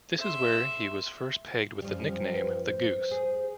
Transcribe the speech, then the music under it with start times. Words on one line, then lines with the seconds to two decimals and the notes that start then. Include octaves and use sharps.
This is where he was first pegged with the nickname "The Goose".
0.18 E5 C6
1.82 F#2 F3 G3
2.34 B4
2.62 C5
3.11 G#4